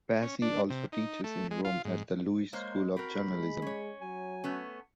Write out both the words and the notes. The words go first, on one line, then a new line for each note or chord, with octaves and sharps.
Paci also teaches in Rome at the Luiss School of Journalism.
C#4
D4
C3
D#4
A3
G#3
F4
G#2
G#3 A#3 C5 C#5
C4 F#4 A#4 B5
G#3
C#4 C#5
F#3 G#5
A3 B3 C#4